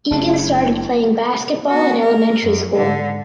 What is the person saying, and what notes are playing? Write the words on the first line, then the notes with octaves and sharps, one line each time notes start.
Egan started playing basketball in elementary school.
F#1 C#3 A3 D4 E4 A5
B3 F#4
A#4
F#2
G#2 D3